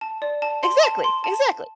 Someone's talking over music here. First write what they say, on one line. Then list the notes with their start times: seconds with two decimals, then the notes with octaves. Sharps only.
Exactly, exactly.
0.01 A5
0.22 D5
0.42 A5
0.63 C6
0.83 A5
1.04 C6
1.24 A5